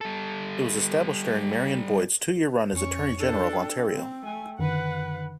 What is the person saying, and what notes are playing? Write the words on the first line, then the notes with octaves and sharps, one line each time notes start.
It was established during Marion Boyd's two-year run as Attorney General of Ontario.
G3 A4
F2 C#4 C#5
D4 A4
G5 E6
C4
A3 G#5
F#2 D3 D#3 B4 F#5